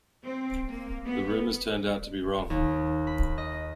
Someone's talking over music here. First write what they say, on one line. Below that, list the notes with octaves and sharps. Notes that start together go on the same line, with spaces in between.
The rumours turned out to be wrong.
C4
A#3
B3
D#2
B5
D#5